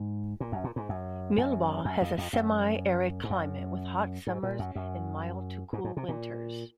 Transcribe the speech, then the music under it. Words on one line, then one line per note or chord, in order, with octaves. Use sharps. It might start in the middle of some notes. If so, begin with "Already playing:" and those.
Mullewa has a semi-arid climate with hot summers and mild to cool winters.
Already playing: G#2
A#2
F#2
A#2
G#2
F#2
F#2
F#2
F2
F2
F#2
G#2
F#2
G#2
A#2
F#2
F#2
G#2
G#2
C3
A#2